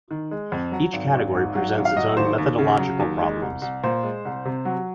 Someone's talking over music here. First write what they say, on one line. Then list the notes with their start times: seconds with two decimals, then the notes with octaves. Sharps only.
Each category presents its own methodological problems.
0.11 D#3
0.31 G#3
0.52 F2
0.72 F#3
0.93 G#1
1.14 G#1
1.35 G#2
1.55 F#3
1.76 G#1
1.85 F5
1.96 F#3 D#5
2.17 D#2 C5
2.38 D#2
2.59 C#3
2.79 F#3
2.99 D#2
3.21 G#3
3.42 C2
3.62 C2
3.84 A#2 C5
4.03 G#3
4.25 C2
4.45 C3
4.65 F#3